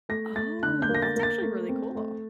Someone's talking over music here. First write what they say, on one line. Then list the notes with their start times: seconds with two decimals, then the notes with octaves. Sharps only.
Oh, that's actually really cool.
0.09 A3 A#6
0.36 A3 A6
0.63 D3 F#6
0.82 G6
0.89 A#3
0.95 A#6
1.02 A6
1.16 A#3
1.23 A6
1.42 A3
1.69 C4
1.95 A3